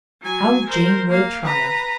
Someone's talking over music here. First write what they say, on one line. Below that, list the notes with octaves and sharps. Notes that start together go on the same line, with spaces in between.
How Jane would triumph!
F#3 G#5
A#4 C5
A#3 F5
B4 A#5